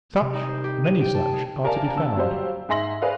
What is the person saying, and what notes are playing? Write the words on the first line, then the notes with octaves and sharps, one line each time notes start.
Such, many such, are to be found.
C3
D#4
C5
G4
D#7
G5
A5
G#3
G4 A#4 D5 F5 G#5 A5
C#2 D3 A5 E6
F#3 G3 G4 C5 F5
G#2 G#4 E5 C6 A#6 F#7
G#4 B4 C5 D5 F5